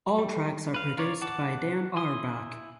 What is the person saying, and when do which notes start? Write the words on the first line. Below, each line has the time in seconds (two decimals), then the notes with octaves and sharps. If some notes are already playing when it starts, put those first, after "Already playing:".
All tracks are produced by Dan Auerbach.
0.18 G3
0.74 B4 F5
0.98 F4 A#4 C#5 D5
1.22 F#5 A5 D6
1.96 E4 G#5 C6 D#6